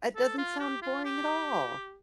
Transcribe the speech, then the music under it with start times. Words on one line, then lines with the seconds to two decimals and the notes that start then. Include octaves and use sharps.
It doesn't sound boring at all.
0.16 A4
0.38 F4
0.60 G4
0.82 F4
1.05 G4